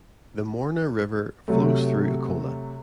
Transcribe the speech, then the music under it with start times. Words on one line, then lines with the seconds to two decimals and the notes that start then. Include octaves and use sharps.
The Morna River flows through Akola.
1.48 C3 F#3 A3